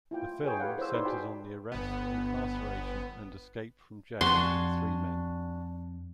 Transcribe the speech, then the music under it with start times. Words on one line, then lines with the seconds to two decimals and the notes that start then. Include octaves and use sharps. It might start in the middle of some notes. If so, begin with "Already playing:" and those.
The film centers on the arrest, incarceration, and escape from jail of three men.
0.11 E4 F4 G5
0.44 G#4 B4 C#5 G5
0.60 G4 A4 B4 F5 F#5
0.77 E4 C5 C#5 E6
0.94 D#4 E4 B4 C5 D5 C6
1.05 F#4 G#4 D5 G5 A5 B5
1.72 G1 B3
4.21 F2 D4 F#4 G#5 C6